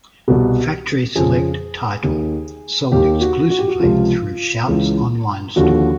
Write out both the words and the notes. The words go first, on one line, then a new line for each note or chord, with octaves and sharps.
Factory select title, sold exclusively through Shout's online store.
C2 B2
F2 C#3 F3 G#4
D#2 D#3
D#2 D#3 G4
F#4
F#4
G4
F#4
C#2 C3 F3 F4
C#2 C#3 E3
D#2 D3 F3 F#4